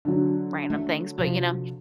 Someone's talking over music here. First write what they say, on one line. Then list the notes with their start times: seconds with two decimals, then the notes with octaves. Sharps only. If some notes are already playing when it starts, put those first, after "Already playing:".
random things, but, you know,
0.05 D3 F#3
0.70 A3
1.19 C3 F3